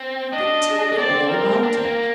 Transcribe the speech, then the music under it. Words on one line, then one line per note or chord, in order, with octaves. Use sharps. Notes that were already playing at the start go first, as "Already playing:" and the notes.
But tell me all about it!
Already playing: C4
D4 D#5
D4
C4 D5
A#4
D4
C4
A#3